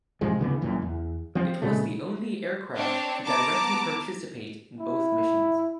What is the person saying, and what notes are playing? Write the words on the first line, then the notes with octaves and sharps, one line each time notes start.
It was the only aircraft to directly participate in both missions.
G#2 C3 F3 G#3
D2 C#3 E3 B3
C#2 F#2 A#2 E3
E2
F3 C4
A#2 C#3 G#3 A3
C4 D4 C#5
B3 A5 A#5 D6
E4